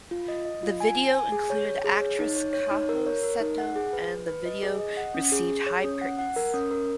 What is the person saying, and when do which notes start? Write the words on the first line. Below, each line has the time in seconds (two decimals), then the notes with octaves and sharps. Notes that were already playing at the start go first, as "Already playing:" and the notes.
The video included actress Kaho Seto and the video received high praise.
0.11 F4
0.28 D#5
0.45 D#5
0.63 F4
0.80 G#5
0.97 G#5
1.15 G#5
1.32 G#4
1.50 C#5
1.67 C#5
1.84 G#4
2.01 C#5
2.19 D#4
2.36 C#5
2.53 C#5
2.71 D#4
2.89 A#4
3.06 C#5
3.23 A#4
3.41 D#4
3.58 F#5
3.76 G#4
3.93 B4
4.10 B4
4.27 B4
4.45 D#5
4.63 G#4
4.80 D#5
4.97 F#5
5.15 C#4
5.32 G#4
5.49 G#4
5.66 C#5
5.84 C#4
6.01 F#5
6.19 F#5
6.36 A#4
6.54 C#4
6.71 A#4